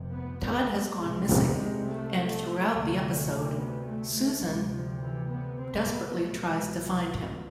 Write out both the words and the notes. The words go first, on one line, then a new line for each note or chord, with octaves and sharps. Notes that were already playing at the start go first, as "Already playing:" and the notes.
Todd has gone missing, and throughout the episode, Susan desperately tries to find him.
Already playing: F1 F2 C3
B3
B3
A3
C2 C3 G#3
G#3
G#3
A3
D2 C3
B3
A3
A3
D2 C3 G#3
F3
E3
B3
C4
B3
C2 B2 A3
G#3
F3